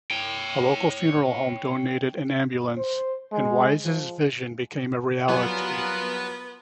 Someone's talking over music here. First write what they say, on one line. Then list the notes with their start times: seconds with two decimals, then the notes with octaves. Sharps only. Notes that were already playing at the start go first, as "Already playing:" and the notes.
A local funeral home donated an ambulance, and Wise's vision became a reality.
0.11 C#5 G5
2.77 C5
3.32 G#3
3.84 F3
5.29 F#3 G3 B3 F4 A#4 B4 F#5 G#5